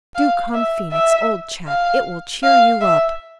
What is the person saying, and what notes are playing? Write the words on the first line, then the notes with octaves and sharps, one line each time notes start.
Do come, Phoenix, old chap; it will cheer you up.
F5
E5
E5
F5
F5
E5